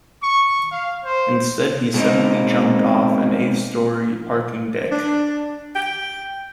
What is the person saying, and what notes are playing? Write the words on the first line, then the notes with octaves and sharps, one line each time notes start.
Instead he suddenly jumped off an eighth story parking deck.
C#6
F5
C5
B2 G#3 A#3 C4 D#4
D4
G5